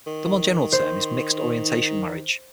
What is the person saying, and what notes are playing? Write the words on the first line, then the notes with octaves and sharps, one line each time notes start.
The more general term is mixed-orientation marriage.
D#3
C5